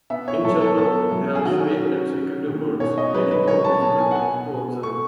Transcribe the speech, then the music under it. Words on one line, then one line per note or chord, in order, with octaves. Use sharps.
In general they are shy and secretive birds, making them difficult to observe.
B3 E5
C#5
F#3 A4
A4
B3 A4
F#3
G#4
D#3 F#4
C#4
C#4
D#3
B2 C#5
D#5
F#3 B4
B4
B4
F#3 C#5
A5
B2 A5
G#5
F#5
B2 G#5
B2
A3 C#6